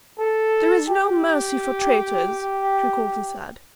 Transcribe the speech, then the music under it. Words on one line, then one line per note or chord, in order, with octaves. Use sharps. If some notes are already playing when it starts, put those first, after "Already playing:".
"There is no mercy for traitors!" she coldly said.
A4
G4